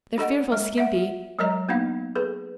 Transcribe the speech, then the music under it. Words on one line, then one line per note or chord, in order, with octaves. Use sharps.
They're fearfully skimpy.
D4 A4 D#5 F#5
G#3
E5 F#5
F#3 G#3 A#4 C#5 D#5 A#5
A#3 B3 D4 D#4 F5
G#4 A4 B4